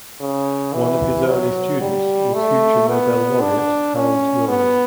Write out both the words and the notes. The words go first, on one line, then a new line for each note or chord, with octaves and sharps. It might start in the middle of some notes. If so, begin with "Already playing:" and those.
One of his early students was future Nobel laureate Harold Urey.
C#3
E3
F#3
G3
A3
B3
D4
C#4
B3